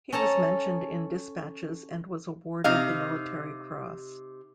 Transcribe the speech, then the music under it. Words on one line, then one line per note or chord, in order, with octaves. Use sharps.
He was mentioned in dispatches and was awarded the Military Cross.
C#4 A4 A5 A#5
C3 D#4 F5